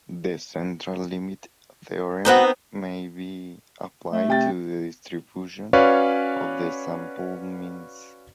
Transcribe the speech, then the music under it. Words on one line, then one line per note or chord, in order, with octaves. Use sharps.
The central limit theorem may be applied to the distribution of the sample means.
B3 C4 D#4 F#4 B4 G5
A3
C3 G5 A6
C#4 F#4 B4 C#5 D5 F5